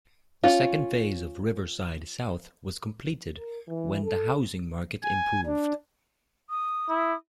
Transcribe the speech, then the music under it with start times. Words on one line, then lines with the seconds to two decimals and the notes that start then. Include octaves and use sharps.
The second phase of Riverside South was completed when the housing market improved.
0.44 C#4 F4
3.38 A#4
3.68 E3
4.03 A4
5.03 G#5
5.46 D4
6.50 D#6
6.89 E4